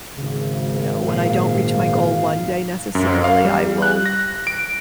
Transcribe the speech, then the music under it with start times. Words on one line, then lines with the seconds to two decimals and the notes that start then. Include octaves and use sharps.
you know, when I don't reach my goal one day necessarily, I will
0.18 G#1 C#3
1.09 A#2 F5
2.95 F#2
3.24 F5
3.45 G3
3.82 F#6
4.05 A#6
4.47 D7